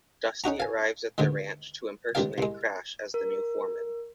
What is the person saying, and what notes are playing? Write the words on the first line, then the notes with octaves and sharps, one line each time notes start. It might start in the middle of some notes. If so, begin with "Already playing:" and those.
Dusty arrives at the ranch to impersonate Crash as the new foreman.
C#4 D#4 F#4 A#5
F5 G#5
D2 G#2 B2 D3 D#3
C#2 B2 D#3 G3 A#4 F5
C2 G#3
A#4